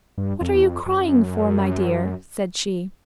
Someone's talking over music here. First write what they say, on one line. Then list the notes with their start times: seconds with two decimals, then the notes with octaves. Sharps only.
'What are you crying for, my dear?' said she.
0.18 G2
0.41 F2
0.54 E2
0.63 F2
0.86 F#2